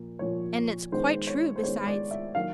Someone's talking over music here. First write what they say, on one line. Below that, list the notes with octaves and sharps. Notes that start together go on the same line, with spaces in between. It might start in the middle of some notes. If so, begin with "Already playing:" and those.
And it's quite true besides.
Already playing: A#2 F3 A#3
A#2 F3 A#3 C#5
D#3 G#3 B3 C5
C#5
C5
D#3 G#3 B3 C#5
D5
E5
D#3 F#3 A#3 F5